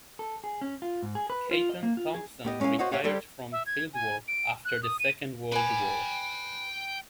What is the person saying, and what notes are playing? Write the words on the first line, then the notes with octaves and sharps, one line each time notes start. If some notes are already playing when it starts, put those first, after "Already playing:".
Caton Thompson retired from fieldwork after the Second World War.
A4
G#4
C#4
F4
G#2
G#4
B4
F4
D#5
A#3
F4
G#4
B3 G4 D#5
G#3 C#4 E4 F5 G#5
F#4 C5 C#5 D#5 F5 F#5
G4 C#5 F5 F#5
G3 G4 A4 C5
E5
G#6
G#5
D7
F#6
D#6
D#7
B4 G5 G#5 B5